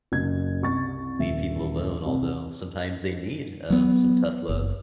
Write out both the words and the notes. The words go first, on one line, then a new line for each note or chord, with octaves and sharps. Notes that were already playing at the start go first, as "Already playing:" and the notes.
leave people alone. Although sometimes they need, um, some tough love.
F#1 G#6
C2 C#6 A6
D#1 E5
C2
F#3 B3
F#1